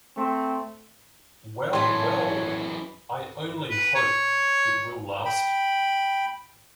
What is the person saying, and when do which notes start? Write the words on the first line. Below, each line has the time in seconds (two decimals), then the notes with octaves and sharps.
Well, well, I only hope it will last.
0.17 A3 C4
1.73 F#2 A2 E3 C#5 A5 C6
3.70 B4
3.95 C#5
5.25 G5 B5